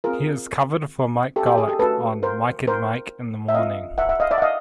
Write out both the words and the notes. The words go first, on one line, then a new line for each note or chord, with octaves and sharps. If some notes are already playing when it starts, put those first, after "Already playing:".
He has covered for Mike Golic on "Mike and Mike in the Morning".
C4 F4 G#4 A#4
G4 A4
G4
G#4
G4 A4
A3 C#4 F#4 A4 B4
A#4 C5
A#4 C5
E5
C4 F4 D#5 F5
E5 F#5
E5 F#5
D#5 F5
D5 E5
F#5
D#5 F5